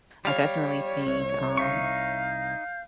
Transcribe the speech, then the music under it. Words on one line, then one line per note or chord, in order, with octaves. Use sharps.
I definitely think, um,
G3 C#5 F5
C2
D#4 E5 F5 C#6 G6